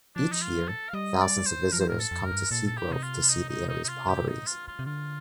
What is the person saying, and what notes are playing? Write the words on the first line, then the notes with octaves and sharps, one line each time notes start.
Each year, thousands of visitors come to Seagrove to see the area's potteries.
F3 D4
D#4
F4
A4
F5
G3 D#5
D5
C5
F3 A#4
C5
A2 A#4
A4
F2
A#4
G2
A#2 A4
A4
G4
C3 D#4
F4
D#4
D#4
D#4
D#4
F4
G4
D#4
F4
F4
C3
D3 F4